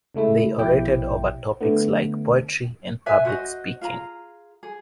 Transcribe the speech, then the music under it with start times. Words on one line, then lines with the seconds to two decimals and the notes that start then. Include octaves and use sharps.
They orated over topics like poetry and public speaking.
0.14 C#3 G#3 A3 E4
0.58 A#1 B2 E4 G4 G5
1.61 D3 A3 B3
3.06 B4 E5 G#5
3.25 F#4 C5 D#5
3.81 F4 G#4 A#5
4.63 G#4